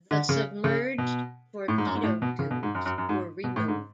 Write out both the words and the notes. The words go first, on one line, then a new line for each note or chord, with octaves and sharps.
The submerged torpedo tubes were removed.
D3
C#3
C#3
B2
A2
G#2
F#2
G#2
A2
B2
C#3
B2
G#2
F#2
F#2
F#2
G#2
B2
A2
G#2